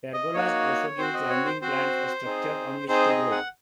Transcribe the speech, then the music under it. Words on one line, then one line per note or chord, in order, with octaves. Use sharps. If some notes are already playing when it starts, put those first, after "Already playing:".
Pergolas also give climbing plants a structure on which to grow.
D#5
A#3 D#4 F#4 C#5
C4 F#4 C5
D#5
C#5
C5
C4 F#4 C5
C4 D#4 G#4
C4 D#4 G#4 C5
D#5
F#5